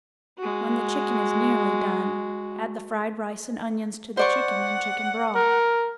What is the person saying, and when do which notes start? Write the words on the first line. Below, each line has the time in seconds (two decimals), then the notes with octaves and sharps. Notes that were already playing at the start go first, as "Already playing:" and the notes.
When the chicken is nearly done, add the fried rice and onions to the chicken and chicken broth.
0.38 G#3 F#4
4.17 C5 D5 F#5 C#6
5.35 A#4